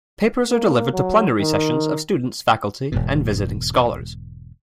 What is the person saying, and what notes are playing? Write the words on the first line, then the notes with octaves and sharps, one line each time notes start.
Papers are delivered to plenary sessions of students, faculty and visiting scholars.
A#3
F#3
D#3
E1 G#2 B2